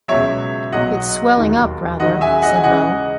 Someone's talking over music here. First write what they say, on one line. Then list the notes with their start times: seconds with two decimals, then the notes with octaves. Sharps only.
"It's swelling up rather," said Beau.
0.08 C#2 B2 F#3 C#5 E5
0.72 B1 B2 F#3 D#5 F#5
1.37 E1 D#2 D#3 F#3
2.00 D#2 D#3 F#3 D#5 F#5
2.21 E5 G#5
2.42 D#5 F#5
2.56 G#5
2.63 C#2 C#3 E3 D#5 F#5